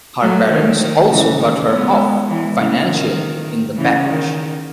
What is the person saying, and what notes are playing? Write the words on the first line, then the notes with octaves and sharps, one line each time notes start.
Her parents also cut her off financially in the backlash.
F#3 A3
D#3
D#3
C#3 E3
D#3
G#3 B3
E3 G#3
C#3 E3
D#3
C#3 E3
D#3